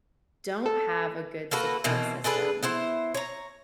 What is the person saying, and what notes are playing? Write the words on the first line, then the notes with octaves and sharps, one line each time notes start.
don't have a good support system,
A4
A#3 F#4 A4 B4
B2 D#3 E3 C4
D4 G#4 A4 B4
B3 E4 C5
C#5 A#5